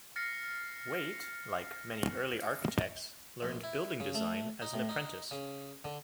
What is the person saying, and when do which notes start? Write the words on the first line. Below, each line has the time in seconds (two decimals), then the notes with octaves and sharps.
Waite like many early architects, learned building design as an apprentice.
0.16 F6 A6 A#6 C7 C#7
3.43 A#1
3.64 E4
4.00 C#3
4.15 A3
4.62 D#4
4.74 A2
4.89 D#4
5.31 C#3
5.85 D3